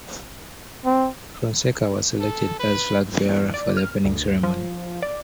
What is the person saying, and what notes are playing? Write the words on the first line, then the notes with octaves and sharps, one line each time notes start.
Fonseca was selected as flag bearer for the opening ceremony.
C4
A4
B4
E2
D5
F6
D2
F3
D5